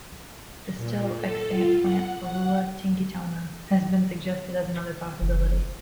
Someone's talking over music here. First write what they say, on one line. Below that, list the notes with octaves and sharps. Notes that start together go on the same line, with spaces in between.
The still-extant plant "Ferula tingitana" has been suggested as another possibility.
A#2
A4
F4
F#5
F#5
F#1